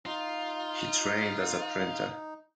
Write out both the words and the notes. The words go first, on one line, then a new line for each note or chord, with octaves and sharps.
He trained as a printer.
D#4 F4